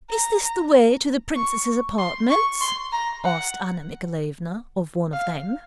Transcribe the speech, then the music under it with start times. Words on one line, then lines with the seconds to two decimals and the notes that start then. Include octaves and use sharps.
"Is this the way to the princesses' apartments?" asked Anna Mikhaylovna of one of them.
0.10 A#5
1.36 C#6
1.98 C6
2.30 C#6
2.61 C6
2.92 A#5
3.24 F#5
5.13 F5